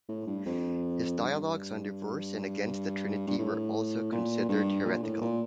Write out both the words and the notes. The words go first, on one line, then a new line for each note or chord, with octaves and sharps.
His dialogues on divorce and against the Trinity were also considered heretical.
A2
G2
F2
G2
G2
A2
A#2
G2
A#2
A2
A#2